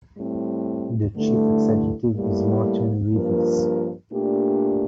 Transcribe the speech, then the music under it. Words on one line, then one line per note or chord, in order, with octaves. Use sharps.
The Chief Executive is Martin Reeves.
A2 G3 C4
G2 D3 A3 E4
A2 G3 A#3
G2 F3 A#3 F4 A#4
A#2 A3 D4 G4